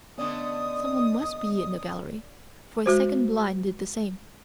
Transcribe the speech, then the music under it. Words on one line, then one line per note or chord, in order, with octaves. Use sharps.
Someone must be in the gallery, for a second blind did the same.
D3 A3 B3 C#4 D5 D#5 D#6
G#3 F#4 C5